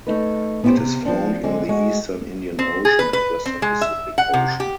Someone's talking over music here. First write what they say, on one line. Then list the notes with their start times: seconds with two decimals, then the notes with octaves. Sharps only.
It is found in the eastern Indian Ocean and western Pacific Ocean.
0.07 A3 D#4 B4
0.64 B3 C#4 E4 G4 C5
0.77 C3
1.05 F3 C4 D4
1.43 D3 G#3 C4
1.69 G#3 F#4
2.59 C4
2.85 G#4
2.99 B4
3.13 B4
3.46 C4
3.62 G#3
3.81 E5
4.18 F#5
4.33 C3
4.60 G4